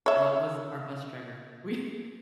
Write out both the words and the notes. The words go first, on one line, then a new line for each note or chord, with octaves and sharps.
uh, was our bus driver. We
C#5 E5